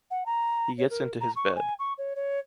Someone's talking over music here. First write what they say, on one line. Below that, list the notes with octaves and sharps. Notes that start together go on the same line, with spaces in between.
He gets into his bed.
F#5
A#5
C#5
A#4
A#5
C#6
G#5
C#6
C#5
C#5